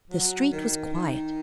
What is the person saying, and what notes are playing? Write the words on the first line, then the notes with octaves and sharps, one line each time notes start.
The street was quiet.
F#3
D#3
D#3